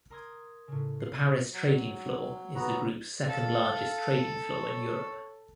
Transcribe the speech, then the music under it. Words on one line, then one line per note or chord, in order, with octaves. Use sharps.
The Paris trading floor is the Group's second largest trading floor in Europe.
A#4 A#5 C6 D#6 G#6
A2 C#3
B2 F5 C7
F#3
F#3 B3 F#4 A#5
A4 F5
C#5